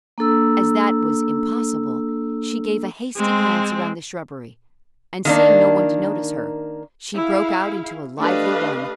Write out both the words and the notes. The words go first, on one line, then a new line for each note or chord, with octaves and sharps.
As that was impossible, she gave a hasty glance around the shrubbery, and seeing no one to notice her, she broke out into a lively run.
A#3 D4 A4 E6
G#3 C4
D#3 A#3 D4
E4 G#4 F5
A3 D4 G4 B4 D#5 F5